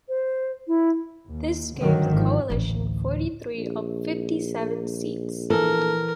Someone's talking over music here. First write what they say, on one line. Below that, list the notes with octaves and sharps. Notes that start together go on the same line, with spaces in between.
This gave the coalition forty-three of fifty-seven seats.
C5
E4
D#2
G2 D3 D#3 F#3
G#1 F3
A1 D2
A#1
E3 A4 A#4